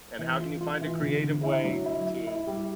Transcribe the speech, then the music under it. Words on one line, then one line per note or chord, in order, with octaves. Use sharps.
and how can you find a creative way to
E3
F4
F4
E3
D3
D3
E4
F#3
E4
E4
E4
G3